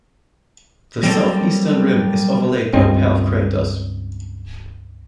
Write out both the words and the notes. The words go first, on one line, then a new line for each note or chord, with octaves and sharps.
The southeastern rim is overlaid by a pair of craters.
F#3 G3 A#3 C4 A4
C#2 G2 G#3 C4